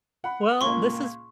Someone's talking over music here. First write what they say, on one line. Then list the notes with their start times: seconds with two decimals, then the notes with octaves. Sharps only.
Well, this has
0.24 F#5 B5
0.61 C#2 A#2 A#3 C6 C#6